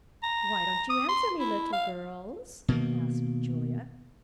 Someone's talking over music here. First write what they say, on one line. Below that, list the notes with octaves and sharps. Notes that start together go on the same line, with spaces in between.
"Why don't you answer me, little girls?" asked Julia.
A#5
D#6
C6
E4
F5
B2 D#3 A#3